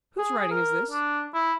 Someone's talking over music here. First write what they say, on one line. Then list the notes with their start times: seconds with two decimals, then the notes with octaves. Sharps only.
'Whose writing is this?'
0.18 G#4
0.51 A#4
0.90 D4
1.34 E4